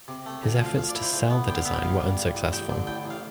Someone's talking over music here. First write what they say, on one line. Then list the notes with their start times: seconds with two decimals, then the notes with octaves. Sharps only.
His efforts to "sell" the design were unsuccessful.
0.08 C3
0.26 A3
0.43 D2
0.55 F5
0.61 F3
0.66 F5
0.77 F3 F5
0.89 D5
0.95 E4
1.02 C5
1.13 A2 C5
1.30 B3
1.48 D3 G5
1.56 F5
1.65 B3 E5
1.74 G5
1.83 G2 F5
2.00 G3
2.18 G2
2.35 A1
2.52 A1 G5
2.70 D3
2.87 A2 G5
3.05 A1
3.10 F5